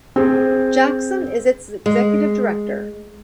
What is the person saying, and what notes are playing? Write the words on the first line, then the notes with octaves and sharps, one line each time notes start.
Jackson is its executive director.
C4 G#4
G#3